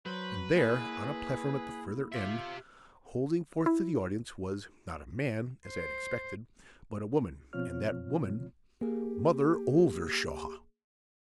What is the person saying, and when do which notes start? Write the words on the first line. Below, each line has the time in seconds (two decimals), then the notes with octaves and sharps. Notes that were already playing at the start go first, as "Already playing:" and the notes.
And there, on a platform at the further end, holding forth to the audience, was--not a man, as I had expected--but a Woman, and that woman, MOTHER OLDERSHAW!
0.06 F#3 B4 C5 G6
0.55 A#3 E4 G#4
2.12 F4 G4 E5
3.66 E4
5.67 C5
7.53 B2 F3 C4 F4 C#5 F6
8.81 A#3 G4 G#4